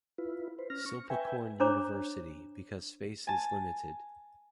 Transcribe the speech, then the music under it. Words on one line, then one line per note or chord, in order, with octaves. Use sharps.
Silpakorn University because space is limited.
E4 F4 B4
B4 C5
C#4 F6 A#6
C#6
B4 E5 G5 G#5
D4 C5 C#5 A#5 D6
G#5 A5